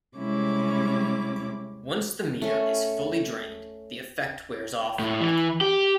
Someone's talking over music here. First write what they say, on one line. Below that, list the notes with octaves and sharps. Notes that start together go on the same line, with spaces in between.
Once the meter is fully drained, the effect wears off.
C3 G3 G#3 C#4 E4 D6
A3 C#4
A2
E3
G4